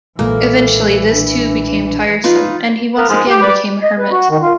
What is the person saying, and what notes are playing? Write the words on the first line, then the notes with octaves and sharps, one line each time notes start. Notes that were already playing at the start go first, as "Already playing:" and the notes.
Eventually, this too became tiresome and he once again became a hermit.
B1 A#2 E3 G#3 A#3 A4
D4
D#4 F4 B4
A#3 B3 A#4
G#2 F3 G#3
G4
B4 D5
D#5
B4
F#4
D#3
F4